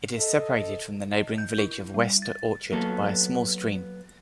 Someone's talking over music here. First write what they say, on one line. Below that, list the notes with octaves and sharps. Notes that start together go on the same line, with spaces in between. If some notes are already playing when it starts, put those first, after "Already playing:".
It is separated from the neighbouring village of West Orchard by a small stream.
A4 C5 D#5
D#5
G6
E4
G3
A6
F#3 A#3 B3 A4